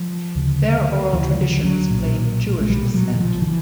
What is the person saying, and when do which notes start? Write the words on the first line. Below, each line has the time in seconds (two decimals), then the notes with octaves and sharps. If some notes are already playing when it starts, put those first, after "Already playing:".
Their oral traditions claim Jewish descent.
Already playing: F3
0.35 D2 C#3
1.13 D2 C#3 E3
1.34 F#3
1.39 F3
1.59 F3
1.64 F#3
1.90 B1 A#2
2.61 G#3
2.69 B1 A#2 G3
2.94 F#3
3.15 E3
3.20 F3
3.42 D#3
3.47 E3